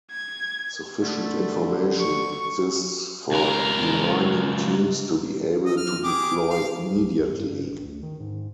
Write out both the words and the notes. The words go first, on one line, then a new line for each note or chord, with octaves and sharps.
Sufficient information exists for demining teams to be able to deploy immediately.
G#6
D3 A3
C#6
C#2 A#4
D#5
F6
G4 G#4 D6
F5
C#2
F#2
G2
G#1
D2
D#3
G#2